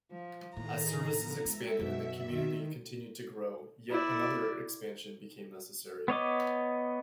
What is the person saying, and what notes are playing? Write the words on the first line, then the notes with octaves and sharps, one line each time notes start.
As services expanded and the community continued to grow, yet another expansion became necessary.
F3
A2 D#3 G#4 A#5
F3 B3
G#3 E5
F#2 B2
D#3
E4 D5
B3 C#5 D#5 D6